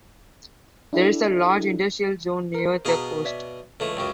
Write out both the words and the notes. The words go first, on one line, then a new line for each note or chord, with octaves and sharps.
There is a large industrial zone near the coast.
D4 E4 G4 A4
A#4 C5
B2 B3 G#4 F5 A#5
C#5 D5 E5
C#2 E3 A3 A4
C#2 F#2 C#3 C#5 G5